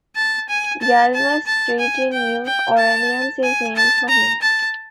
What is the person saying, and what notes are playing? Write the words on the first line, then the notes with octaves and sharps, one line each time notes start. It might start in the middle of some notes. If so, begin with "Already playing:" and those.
Galvez Street in New Orleans is named for him.
A5
G#5
A5
A5
A5
G#5
G5
G5
A5
G#5
A5
A#5
A5